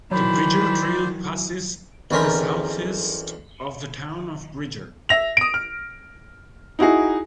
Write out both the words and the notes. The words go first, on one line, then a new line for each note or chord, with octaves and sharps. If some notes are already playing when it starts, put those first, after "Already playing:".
The Bridger Trail passes to the southeast of the town of Bridger.
D#3 E3 F#3 C5 D5 B5
B1 E2 C4 C#4 A#4 B5
E5 A#6 F7
D#6 D7
F6
D#4 E4 F#4 G#4